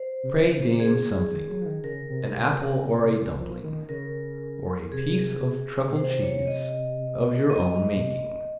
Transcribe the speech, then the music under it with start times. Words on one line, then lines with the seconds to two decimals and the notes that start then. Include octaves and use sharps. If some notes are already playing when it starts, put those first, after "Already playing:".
Pray, dame, something, An apple or a dumpling, Or a piece of Truckle cheese Of your own making.
Already playing: C5
0.23 C3
0.29 C#3
0.80 G#4
1.32 D#3
1.49 F#3
1.61 F3
1.66 D#3
1.83 C#3 A#4
2.09 C3
2.35 C3
2.47 C3
2.60 C3
2.74 C#3
2.86 C3
3.03 C3
3.20 C#3
3.38 F3
3.63 D#3
3.89 C#3 A#4
4.92 C3 G#4
5.89 A#2
5.95 C3 C5
6.21 C#5
6.47 D#5
7.50 D#5
7.95 A#2
8.01 C3